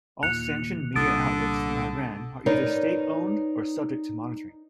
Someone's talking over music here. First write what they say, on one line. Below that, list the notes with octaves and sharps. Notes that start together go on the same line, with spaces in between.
All sanctioned media outlets in Iran are either state-owned or subject to monitoring.
D#2 A#2 F#6 C#7 F7
C2 A#2 D3 D#6 A6 D7
D#4 A#4 B4 C#5 D5